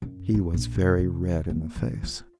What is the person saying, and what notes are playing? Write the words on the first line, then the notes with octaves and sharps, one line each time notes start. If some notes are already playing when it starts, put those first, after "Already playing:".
He was very red in the face.
F#2
E4
A#1
C3
C3
A#3
D#3
F4